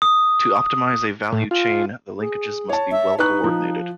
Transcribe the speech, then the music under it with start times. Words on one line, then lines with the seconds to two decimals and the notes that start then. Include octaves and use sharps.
To optimize a value chain, the linkages must be well coordinated.
0.02 D#6
1.33 A2
1.51 F4
2.20 G#4
2.69 C#5 A5
2.91 E5
3.19 D#4 B4 C#6 F#6
3.44 F3